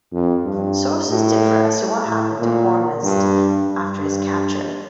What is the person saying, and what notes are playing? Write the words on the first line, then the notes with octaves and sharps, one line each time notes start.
Sources differ as to what happened to Hormizd after his capture.
F2
G2
A2
A2
A#2
G2
G2
G2